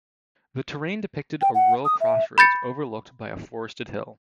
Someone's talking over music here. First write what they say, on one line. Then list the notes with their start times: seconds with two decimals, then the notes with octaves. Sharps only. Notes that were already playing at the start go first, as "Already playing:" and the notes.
The terrain depicted a rural crossroads overlooked by a forested hill.
1.42 G5
1.55 F#5
1.85 D#6
2.01 E5
2.38 B5 G6 A6 C#7